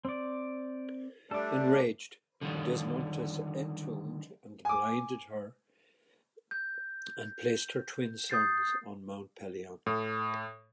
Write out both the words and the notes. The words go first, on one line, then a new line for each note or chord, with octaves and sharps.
Enraged, Desmontes entombed and blinded her and placed her twin sons on Mount Pelion.
C4 D5
G3 A3 D4 A4 D6
D3 D#3 G3
G#5 D6
G6
D#6 G6 A6 C7
A2